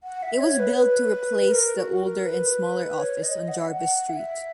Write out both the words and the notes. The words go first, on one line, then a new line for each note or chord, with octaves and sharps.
It was built to replace the older and smaller office on Jarvis Street.
F#5
E5
C#5
B4
B4
B4
A#4
F#4
A#4
B4
C#5
D#5
F#5
F#5
E5